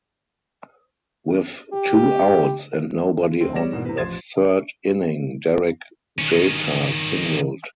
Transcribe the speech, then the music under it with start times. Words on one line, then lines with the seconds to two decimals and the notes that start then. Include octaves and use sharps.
With two outs and nobody on in the third inning, Derek Jeter singled.
1.73 G4
3.41 D2 C4
3.54 G3 C#5 D5 A#6 E7
3.72 G#2 B2 E3 A#3 B3 D4
3.85 C3 E3 B4
3.97 A1 F3 C6 G#6 A6 E7
6.18 D#3 C#4